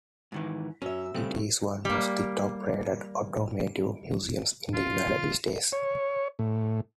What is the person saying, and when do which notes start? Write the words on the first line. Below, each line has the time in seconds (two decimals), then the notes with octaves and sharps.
It is one of the top-rated automotive museums in the United States.
0.32 G#2 D#3 E3
0.82 F#2 C#4 E5
1.14 C#3 G3 A3 C4
1.85 G3 A#3
4.74 F4
5.72 C#5
6.39 A2